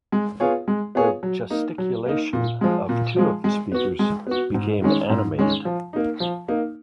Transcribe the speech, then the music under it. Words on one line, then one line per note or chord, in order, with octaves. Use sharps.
The gesticulation of two of the speakers became animated.
G#3
B3 F4 G#4 C#5
G#3
B3 F4 G#4 C#5
F#3
A#3 D#4
F#3
A#3 D#4
A#2
F3 G#3
A#2
F3 G#3
G#3
B3 F#4
G#3
B3 F#4
G#2
D#3 G#3 C#4
G#2
D#3 G#3 C#4
F3
A#3 D#4
F3
A#3 D#4